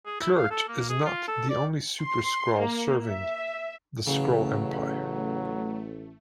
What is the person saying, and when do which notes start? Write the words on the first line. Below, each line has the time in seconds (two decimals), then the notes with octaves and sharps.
Kl'rt is not the only Super-Skrull serving the Skrull Empire.
0.06 G#4
0.21 E4
0.37 F5
0.51 A4
0.68 A#3
0.89 G#4
1.05 F4
1.28 A4
1.50 D5
2.00 C6
2.58 A#3
3.06 E5
4.07 A1 C#3 F#3 A3